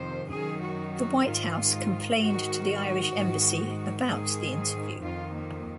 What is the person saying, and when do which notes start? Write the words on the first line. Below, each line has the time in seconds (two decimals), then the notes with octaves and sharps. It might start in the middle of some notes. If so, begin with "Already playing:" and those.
The White House complained to the Irish Embassy about the interview.
Already playing: F2 C3 D#3 C5
0.30 F#2 D#3 G#4
0.62 F#4
0.94 F#4
1.24 G#2 D#3 F4
2.20 G#2 D#3 F#4
3.14 G#2 D#3
4.08 G#2 D#3 G#4
5.02 F2 D#3 F4
5.34 A#3